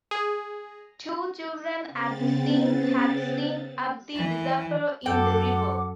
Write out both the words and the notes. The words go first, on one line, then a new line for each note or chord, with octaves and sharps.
Two children at the scene had seen Abdi disappear in the river.
G#4
C#3 B3 C4 A6
E3
F#2 A4 F#5 G5 D6